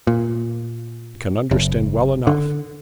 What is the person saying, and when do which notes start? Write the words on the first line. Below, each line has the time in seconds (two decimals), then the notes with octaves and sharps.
I can understand well enough.
0.07 A#2
1.51 F#1
2.27 D3